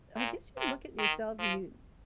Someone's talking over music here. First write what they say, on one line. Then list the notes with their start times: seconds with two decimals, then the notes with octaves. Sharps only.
I guess you look at yourself and you
0.16 A#2
0.57 C3
0.98 D#3
1.39 F3